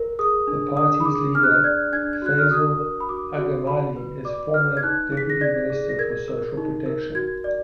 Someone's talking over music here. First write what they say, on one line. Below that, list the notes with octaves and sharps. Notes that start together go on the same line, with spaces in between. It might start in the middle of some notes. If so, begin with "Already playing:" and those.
The party's leader Fazail Agamali is a former deputy minister for social protection.
Already playing: A#4
G#4 D#6
D4
D4 D#6
B5
G#4 D6
D4 F6
F#6
F6
D5 G#6
D4 G#6
G#6
F#4 F#6
F6
F#4 D#6
A#4
B5
F#4 D6
F#4
F#4 B5
B4
D5 D6
B4 F6
G#6
D#4 F#6
G#4
B6
A#6
D5 G#6
G#4
A#6
A#4 G#6
A#4
D#4
A#4
F#4 G#6
D5